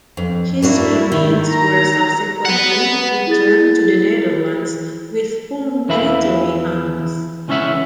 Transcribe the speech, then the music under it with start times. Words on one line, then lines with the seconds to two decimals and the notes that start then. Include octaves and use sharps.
His remains were subsequently returned to the Netherlands with full military honours.
0.17 F2
0.62 A#3 D4 E4 F#4
1.12 D#3
1.50 A#5
2.45 B4 F#5
3.27 E4 G#4 A6
5.89 E2 E3 E4 E5 F5 B5
7.48 C#2 E3 C#4 G#4 E5 F#5